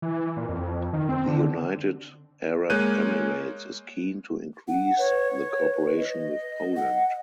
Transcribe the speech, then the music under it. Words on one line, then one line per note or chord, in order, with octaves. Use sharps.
The United Arab Emirates is keen to increase the cooperation with Poland.
E3
A#2
F2
F2
D#3
C4
D3
G#3 A#3 C#5 F#6 G6 D#7
F#5
B4 C#5
D#5
F#5